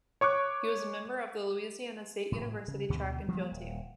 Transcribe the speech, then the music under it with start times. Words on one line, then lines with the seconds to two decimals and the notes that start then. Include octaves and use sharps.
He was a member of the Louisiana State University track and field team.
0.21 C#5 C#6 D6 F#6
2.32 A2 F#3
2.68 C#3
2.90 D2 B2 D3 F3
3.28 F3 G3 A#3
3.51 D#1